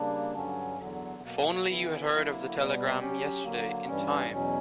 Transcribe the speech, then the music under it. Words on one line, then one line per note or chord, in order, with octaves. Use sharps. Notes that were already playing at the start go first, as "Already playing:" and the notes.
If only you had heard of the telegram yesterday in time!
Already playing: C#3 G3 A#3 D4
G2 D3 F#3 C#4
E2 D3 F#3
B2 F#3 A#3
C#3 E3 B3 E4
D3 F#3 A#3 E4
B2 G3 B3
F#3 C#4 G4
D3 F#3 A#3
G2 E3 G3 C#4
E2 B2 F#3 C#4